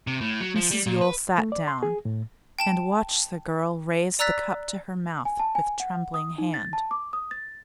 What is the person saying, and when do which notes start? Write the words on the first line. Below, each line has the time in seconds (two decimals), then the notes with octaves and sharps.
Mrs Yule sat down, and watched the girl raise the cup to her mouth with trembling hand.
0.07 C3
0.21 A2
0.41 F#3
0.56 F3
0.71 G3
0.86 A#2
1.01 B4
1.38 A3
1.52 D5
1.68 C6
1.83 G#4
2.05 A2
2.59 G5 A5 E7
4.19 D5 A#5 E6 F#6 A6 B6
5.25 G#5
5.39 A5
5.55 G#5
5.80 F#5
6.14 D#6
6.38 D#4
6.54 A6
6.73 A5
6.91 D6
7.13 D#6
7.31 A6